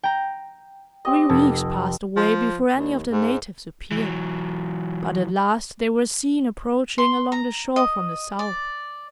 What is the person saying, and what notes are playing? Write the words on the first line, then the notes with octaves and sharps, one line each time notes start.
Three weeks passed away before any of the natives appeared, but at last they were seen approaching along the shore from the south.
G5 A#5
C4 G4 D#5
F1 A4
F3
D#2
G#2
E3 F#3
C6
A#5
D#5
D5